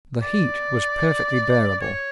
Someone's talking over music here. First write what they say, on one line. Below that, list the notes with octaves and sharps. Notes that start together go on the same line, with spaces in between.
The heat was perfectly bearable.
D5
C#5